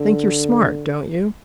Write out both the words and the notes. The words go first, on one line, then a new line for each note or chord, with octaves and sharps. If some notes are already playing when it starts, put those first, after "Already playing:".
Think you're smart, don't you?
Already playing: D3